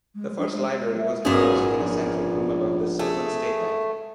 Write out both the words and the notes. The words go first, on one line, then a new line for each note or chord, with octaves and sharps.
The first library was housed in a central room above the Sylvan State Bank.
G#3
D4
G#3
E5
G#1 F#2 A#2 B3 C#4 G#4
A#1
A3 G#4